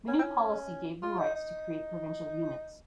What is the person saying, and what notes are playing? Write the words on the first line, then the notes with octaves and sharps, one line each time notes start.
The new policy gave them rights to create provincial units.
C#4
C4
C#4
F4
D#4
D#4